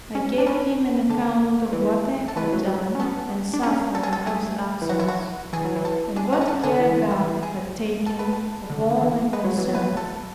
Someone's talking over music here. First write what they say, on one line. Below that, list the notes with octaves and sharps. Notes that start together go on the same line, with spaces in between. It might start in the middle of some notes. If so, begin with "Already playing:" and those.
I gave him an account of what I had done and suffered in his absence, and what care God had taken of all my concerns.
C#4
D4
C#4 B4
D3 A4
E3
A4
E3 B4
F#3
F#3
C#4
B3 A4
D4
C#4 G#4
A4
G#4
A4
A3 G#4
E3
F#3 F#4
E4
F#4
E3 G#4
F#3
E3
A4
D4 G#4
C#4 F#4
G#4
C#4 A4
D3 G#4
E3
E3 E4
G#4
A4
B4
A4
D3
D3
E3
G#3 B4
F#3
E3
F#3
B4
A4